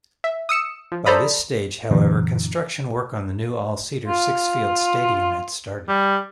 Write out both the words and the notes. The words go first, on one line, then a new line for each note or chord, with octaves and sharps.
By this stage, however, construction work on the new all-seater Sixfields Stadium had started.
E5
D#6 E6 C#7 E7
F3
A4 C5 D5 A#5 B5 D#6
F#2 A#2 D3 E3 F#3
F4
G3